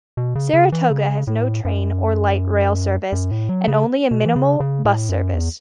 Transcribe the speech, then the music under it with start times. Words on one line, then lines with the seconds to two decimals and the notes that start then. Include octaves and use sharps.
Saratoga has no train or light rail service and only a minimal bus service.
0.17 B2
0.35 C#3
0.54 C#3
0.72 E3
0.90 C#3
1.27 A2
1.65 F#2
3.12 F#2
3.31 A2
3.49 F#3
3.68 C#3
4.11 B2
4.26 E3
4.36 C#3
4.60 C#3
4.85 A2
5.09 F#2
5.34 E2